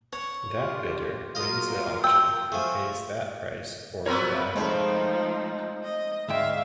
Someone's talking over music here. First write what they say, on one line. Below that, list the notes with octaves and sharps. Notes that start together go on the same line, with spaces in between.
That bidder wins the auction and pays that price for the item.
C#5 F#5
D4 F4 G4
F#3 F4 A#4 D#5 F5
G5 E6
F3 A3 G#4
F3 F#3 B3 C4 A#4 B4 C#5
F3 G#3 A3 C4 D#4 B5
D#5
D2 G#2 E5 F5 G5